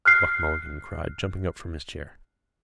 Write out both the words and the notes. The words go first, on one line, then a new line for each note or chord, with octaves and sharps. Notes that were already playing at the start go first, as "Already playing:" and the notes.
Buck Mulligan cried, jumping up from his chair.
F6 F#6 C7